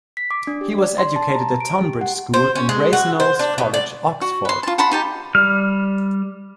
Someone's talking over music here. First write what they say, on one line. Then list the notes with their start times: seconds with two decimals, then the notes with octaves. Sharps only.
He was educated at Tonbridge School and Brasenose College, Oxford.
0.17 B6
0.31 D6
0.47 D4
0.61 G4
0.79 D5
0.98 C6
1.16 A5
1.35 A#5
1.60 D7
1.81 G4
2.01 F#5
2.34 C5
2.55 C#4
2.69 G#3
2.93 F#4
3.20 C5
3.39 D4
3.58 B2
3.74 D5
4.21 F#4
4.45 B4 C6
4.63 F4 A5
4.78 F#5 A5 B5 C6
4.91 D#4 G4 A5
5.35 G3 F6